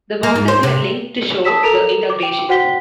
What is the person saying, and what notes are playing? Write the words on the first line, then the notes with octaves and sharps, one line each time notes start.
The boxes were linked to show the integration.
A#3
G#2
C5
C3
A5 D#6 E6 B6 E7
A4 A#4 A#5 F7
D6
G5
F#4 C5 F#5 G5 B6 G7